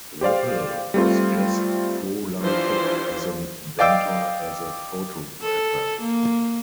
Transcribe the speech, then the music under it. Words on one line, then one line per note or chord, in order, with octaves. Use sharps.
Whipple was as prolific as an inventor as a photographer.
G4 C5 D5 F5
G3 A3 C4 F4
E3 F3 D4 F4 G4 C5
D5 D#5 F5 G5 D6 E6
A4
A#3